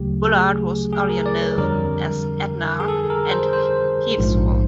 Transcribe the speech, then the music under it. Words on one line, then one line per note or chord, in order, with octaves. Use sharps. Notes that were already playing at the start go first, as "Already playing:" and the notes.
Bullard was earlier known as "Etna" and "Hewsville".
Already playing: D2 C#3 F#3 A3 G4
G#4
G#4
A#4
D5
C#5
F2 D3 G3 A#4
G#4
A4
A#4
C5
C5
A#1 G#2 F3